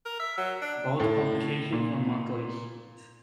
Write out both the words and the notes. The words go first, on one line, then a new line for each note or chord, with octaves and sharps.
Both publications were monthlies.
A#4
E5
F#3
D4
A2
A#2